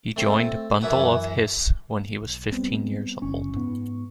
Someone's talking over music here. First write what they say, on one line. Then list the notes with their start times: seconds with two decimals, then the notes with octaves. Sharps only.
He joined Bundle of Hiss when he was fifteen years old.
0.16 A3 C4
0.82 F#2 E3 E4 B4 C#5 F#5
2.21 B1
2.51 G3 B3 C4
3.22 F#1 C#4 C#6
3.54 G#2 B3